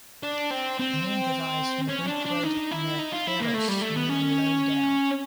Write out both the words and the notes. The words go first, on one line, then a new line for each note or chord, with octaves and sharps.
The name derives from the Greek word "nerteros", meaning low down.
D4
C4
C4
C#4
D4
D4
D#4
E4
D#4
F4
E4
A#3
A3
G3
A3
B3
C#4